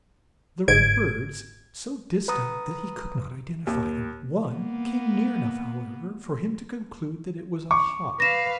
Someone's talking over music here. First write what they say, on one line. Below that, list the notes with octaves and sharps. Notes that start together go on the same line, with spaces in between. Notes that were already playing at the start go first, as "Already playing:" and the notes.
There were birds, so distant that he could not identify them; one came near enough, however, for him to conclude that it was a hawk.
G1 G#2 G#6 D7
B4 A#5 D#6
D#2
A#3 B3
C#6 D6
B4 F5 A#6 E7